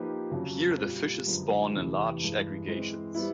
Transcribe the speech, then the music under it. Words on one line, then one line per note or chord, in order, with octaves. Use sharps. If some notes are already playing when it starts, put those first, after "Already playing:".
Here, the fishes spawn in large aggregations.
Already playing: F3 A#3 D#4 G4 B4
F2 C#3 F#3
A#2 G3 C4
F#2 D3 F3 G#3 B3
E2 C3 E3 A3
G2 E3 G#3
E3 G#3 C4
G3 B3 E4